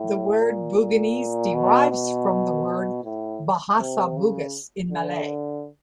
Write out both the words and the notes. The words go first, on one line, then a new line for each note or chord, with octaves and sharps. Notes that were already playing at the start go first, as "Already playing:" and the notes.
The word Buginese derives from the word "Bahasa Bugis" in Malay.
Already playing: A2
A#2
B2
B2
A2
C3
C#3
D3